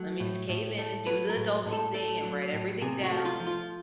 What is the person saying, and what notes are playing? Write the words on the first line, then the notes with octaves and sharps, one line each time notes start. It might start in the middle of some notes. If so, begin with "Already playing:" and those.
Let me just cave in and do the adulting thing and write everything down,
Already playing: F#3 A3
A2
A2
A3
F#3 B4
A#4
A2
A2
A4
A3 A4
F#3
A2
C3 G#4
F#4
A3
F4
F3
F4